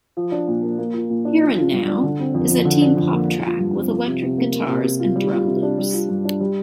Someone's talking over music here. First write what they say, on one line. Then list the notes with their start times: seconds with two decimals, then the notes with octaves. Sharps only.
"Here and Now" is a teen pop track with electric guitars and drum loops.
0.17 F3
0.32 D4
0.48 A#2
0.63 A#3
0.79 A#3
0.94 F4
1.10 A#2
1.25 D4
1.42 F3
1.57 F4
1.72 G2
1.88 D4
2.03 D3
2.19 C4
2.34 F2
2.51 F3
2.65 D3
2.82 D4
2.97 F2
3.13 A#3
3.29 F3
3.43 F4
3.59 G2
3.76 C4
3.90 F3
4.07 C3
4.22 C3
4.38 A#3
4.53 A#3
4.69 C3
4.84 C3
5.00 F4
5.16 G3
5.31 F4
5.47 C3
5.63 D4
5.78 G3
5.93 F4
6.09 G2
6.25 D4
6.40 G3